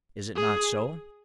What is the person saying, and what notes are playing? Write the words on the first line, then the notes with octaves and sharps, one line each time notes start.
Is it not so?
G#4